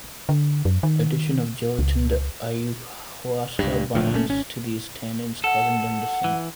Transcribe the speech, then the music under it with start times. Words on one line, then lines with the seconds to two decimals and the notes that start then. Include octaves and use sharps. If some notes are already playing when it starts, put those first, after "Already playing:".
Addition of gelatin to ayahuasca binds to these tannins, causing them to sink.
0.29 D3
0.65 F#2
0.83 D#3
1.79 C#2
3.59 C#2 G2
3.94 D1 D2 A#2 F3
4.15 F#1 A3 C#4
4.28 G#1 C#4
5.44 A4 F#5
6.24 E3